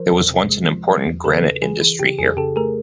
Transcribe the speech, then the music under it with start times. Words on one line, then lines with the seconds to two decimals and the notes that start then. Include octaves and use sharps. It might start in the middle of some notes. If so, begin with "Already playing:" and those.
There was once an important granite industry here.
Already playing: F3 A#4 C5
0.12 E2
0.31 C3
0.49 G#3
0.68 F3
0.87 F3
1.06 E2
1.24 C#3 A4 B4
1.44 C#3
1.62 E3 G#4
1.81 E3
1.99 C#3 G4
2.19 F2 G#4
2.37 C#3 G4 A4
2.56 A3 G#4 A#4